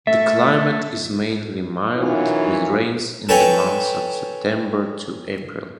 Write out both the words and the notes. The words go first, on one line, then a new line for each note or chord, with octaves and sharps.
The climate is mainly mild with rains in the months of September to April.
A3 E5
F#2 E3 D#4 F4 F#4 C#5
A4 B4 C#5 G5 G#5 A#5